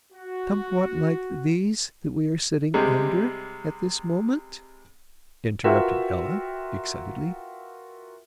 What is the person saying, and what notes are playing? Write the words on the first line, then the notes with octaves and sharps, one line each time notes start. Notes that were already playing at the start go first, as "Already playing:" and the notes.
"Somewhat like these that we are sitting under at this moment?" interrupted Ella excitedly.
F#4
C3 G3 G#3
F4 F#4 A#4 B4 E5 G5